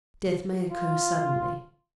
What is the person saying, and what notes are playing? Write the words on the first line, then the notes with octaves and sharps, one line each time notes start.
Death may occur suddenly.
F4